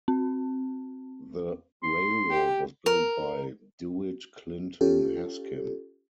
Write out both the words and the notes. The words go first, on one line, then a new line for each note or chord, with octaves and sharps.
The railroad was built by Dewitt Clinton Haskin.
C4
C6
G4
A#4
C#4 F4 G4 A4